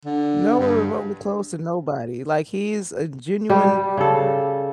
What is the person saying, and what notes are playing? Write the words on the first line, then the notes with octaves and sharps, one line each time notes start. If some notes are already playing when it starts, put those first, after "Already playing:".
Now we're remotely close to nobody, like he's a genuine
D3
G2
G3 G4
C#3 A4